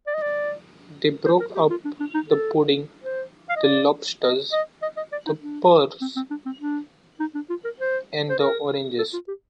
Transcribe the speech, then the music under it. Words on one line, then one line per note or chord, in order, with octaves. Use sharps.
They broke up the pudding, the lobsters, the pears, and the oranges.
D5
D#5
D5
C5
A#4
G4
F4
D4
D4
D#4
A4
C5
F5
D#5
D5
D#5
D#5
D#5
D#5
D5
D#4
D4
C4
C4
D4
C4
D4
D#4
D4
F4
A#4
C5
C5
A#4
A4
F4
G4